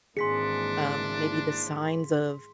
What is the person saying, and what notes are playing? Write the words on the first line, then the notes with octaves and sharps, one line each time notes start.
Um, maybe the signs of
G#1 E3 A#3 D4 G#4 C6 B6 C#7